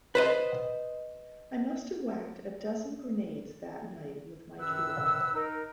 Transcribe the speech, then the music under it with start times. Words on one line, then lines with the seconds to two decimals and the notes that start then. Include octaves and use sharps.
I must have whacked a dozen grenades that night with my tool.
0.15 B4 C5 D#5
4.58 F#2 D#3 B4 E6
5.34 D#4 A#4